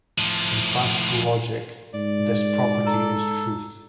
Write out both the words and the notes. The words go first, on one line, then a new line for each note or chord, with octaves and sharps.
In classical logic, this property is truth.
A2 F3
G#2 D5
A4 A#5